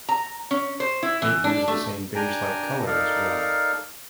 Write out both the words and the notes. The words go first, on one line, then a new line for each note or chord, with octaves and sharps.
It used the same beige-like color as well.
A#5
C#4
C5
E4
E3
D4
A3
D4 G5 G#5 A#5
D#4 A4 A#4 D5 F5